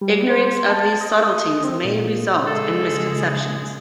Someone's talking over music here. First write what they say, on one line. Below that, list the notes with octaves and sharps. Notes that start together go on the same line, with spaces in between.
Ignorance of these subtleties may result in misconceptions.
G3
C5
A5
D#5
C4
A#2
C#3 G#3 G#4 A4